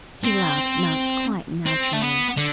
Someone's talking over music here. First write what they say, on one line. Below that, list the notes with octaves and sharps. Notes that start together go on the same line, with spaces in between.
She laughed, not quite naturally.
C4
C4
A3
B3
D3